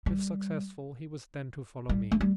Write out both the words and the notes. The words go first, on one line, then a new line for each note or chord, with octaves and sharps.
If successful he was then to follow me.
G3
G3
A3
G3